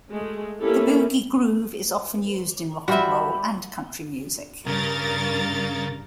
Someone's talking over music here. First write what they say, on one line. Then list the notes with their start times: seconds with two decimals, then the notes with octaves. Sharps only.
The boogie groove is often used in rock and roll and country music.
0.10 G#3 A3
0.60 A#3 C#4 E4 G4 A4
2.88 G3 F4 F#4 E5 G5 B5
4.67 G2 C#3 A#4 A6